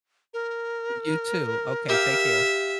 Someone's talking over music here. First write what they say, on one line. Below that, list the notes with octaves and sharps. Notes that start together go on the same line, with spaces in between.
You too, okay, take care.
A#4
G4 E5 F5